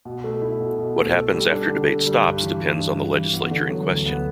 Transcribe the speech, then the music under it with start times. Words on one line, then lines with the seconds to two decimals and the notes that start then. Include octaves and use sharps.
What happens after debate stops depends on the legislature in question.
0.05 B2
0.24 A3
0.42 E4
0.60 B2
0.79 B2
0.97 A3
1.15 A4
1.33 G3
1.51 D4
1.69 D3
1.88 A4
2.06 G3
2.24 G2
2.42 E3
2.60 G3
2.79 G2
2.97 G2
3.15 E3
3.33 B3
3.51 D3
3.70 F#3
3.88 D2
4.06 B3